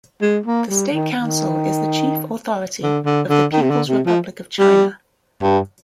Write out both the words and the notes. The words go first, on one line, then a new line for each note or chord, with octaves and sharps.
The State Council is the chief authority of the People's Republic of China.
G#3
A#3
G3
D#3
D#3
D3
D3
D3
D#3
C3
D3
C3
F3
G3
G2